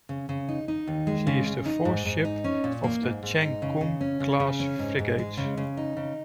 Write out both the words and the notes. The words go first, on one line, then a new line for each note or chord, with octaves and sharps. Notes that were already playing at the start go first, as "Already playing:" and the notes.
She is the fourth ship of the "Cheng Kung"-class frigates.
C#3
C#3
D#4
D#4
D#2
G#3
C#3
C#3
D#4
G#2
G#2
D#4
C#4
A#2
A#3
G#2
G#2
D#4
C#3
C#3
C#4
C#3
C#3
C#4
G#2
G#2
G#3
C#3
C#3
D#4
C#3